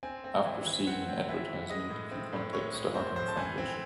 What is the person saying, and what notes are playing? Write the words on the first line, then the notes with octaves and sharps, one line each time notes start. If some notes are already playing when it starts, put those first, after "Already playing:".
After seeing an advertisement he contacts the Harbinger Foundation.
C4 G#5
C4
E3
E3
C4 F#5
C4
E3 E5
E3
G#3 D#5
A2
C4
A2
G#3 C#5
A2 C#5
C4 C5
A2 C5
A5
E3 G#5
C4